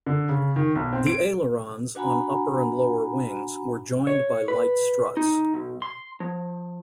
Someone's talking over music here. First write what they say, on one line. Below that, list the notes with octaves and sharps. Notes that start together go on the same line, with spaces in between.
The ailerons, on upper and lower wings, were joined by light struts.
D3
C#3
D#3
B1
C4
D7
D4 F#4 F#5 G#5 A#5 B5
C#5
B4
D#4
B1
C6
F3